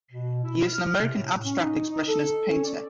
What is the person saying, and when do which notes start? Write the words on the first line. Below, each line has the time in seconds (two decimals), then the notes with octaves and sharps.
He is an American Abstract Expressionist painter.
0.11 B2
0.43 E4
0.67 F6
1.00 C3
1.12 A2
1.45 C#4
1.59 D#4
1.88 D#4
2.08 A4
2.49 C#4
2.64 D5